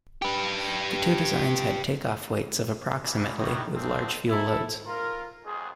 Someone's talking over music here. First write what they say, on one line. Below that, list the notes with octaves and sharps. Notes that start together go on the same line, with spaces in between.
The two designs had takeoff weights of approximately with large fuel loads.
G4 B4
B1 F2 A#2 E3 G3
D#3 G3 D#4 E4 F#4
B1 A#2 D3 F3 A3 C4
E4 A4
F4 A#4
B1 F2 G#3 G#4